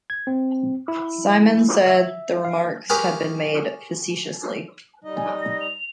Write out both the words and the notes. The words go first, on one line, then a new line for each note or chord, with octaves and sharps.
Symons said the remarks had been made facetiously.
G#6
C4
E4
E5
F5
C#4 G4 G#4 A#4 B4
G3 D#4 D#5
G#5
A#6
F7